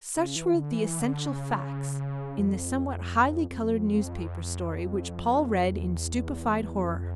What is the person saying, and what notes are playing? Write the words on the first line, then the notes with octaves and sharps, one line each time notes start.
Such were the essential facts in the somewhat highly coloured newspaper story which Paul read in stupefied horror.
C#3
E3
D3
E3
D3
C#3
F2
F2
E2
F2